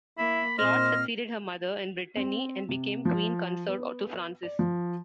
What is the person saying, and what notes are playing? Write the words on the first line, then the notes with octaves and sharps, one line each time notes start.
Claude succeeded her mother in Brittany and became queen consort to Francis.
A#3 E4 B5
A#2 C4 C5 D#5 F6
C4
C3
F3
B3
D5
F3